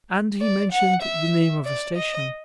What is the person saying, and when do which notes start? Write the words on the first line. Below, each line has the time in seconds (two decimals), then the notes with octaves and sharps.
And he mentioned the name of a station.
0.41 D5
0.72 F#5
1.03 E5
1.65 D5
1.97 D#5